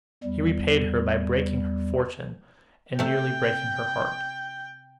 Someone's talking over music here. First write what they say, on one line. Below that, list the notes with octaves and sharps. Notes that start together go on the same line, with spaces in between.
He repaid her by breaking her fortune, and nearly breaking her heart.
E2 G3
C3 A3 G5